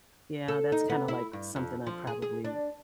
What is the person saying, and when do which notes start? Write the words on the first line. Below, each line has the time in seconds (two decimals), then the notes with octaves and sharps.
Yeah, that's kinda like something I'd probably
0.48 A4
0.72 D#4
0.90 B3
1.08 E4
1.33 G2
1.56 F2
1.87 F3
2.07 G#4
2.22 G#4
2.45 D4